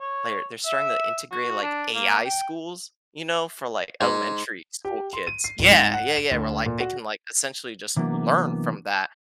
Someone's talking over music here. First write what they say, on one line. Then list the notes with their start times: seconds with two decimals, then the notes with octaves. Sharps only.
they're they're starting to integrate, like, AI schools, you know, for, like, elementary school kids. Yeah, yeah, yeah, where, like, they can, like, essentially just learn from that,
0.01 C#5
0.66 E5
1.31 F#4
1.63 D4
1.95 A#3
2.25 G5
4.01 G#2
4.85 G4
5.13 C6
5.27 D#7
5.44 C7
5.59 D1
5.71 G#2
5.94 F#5
6.17 E7
6.31 D2
6.66 A#2
6.80 F#4
7.97 C3 E3 F#3 A#3 B3 D4